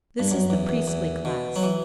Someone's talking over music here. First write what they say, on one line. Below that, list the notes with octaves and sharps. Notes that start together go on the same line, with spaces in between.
This is the priestly class.
G2
F#2
E2
E2
E2
B2
F#3
E3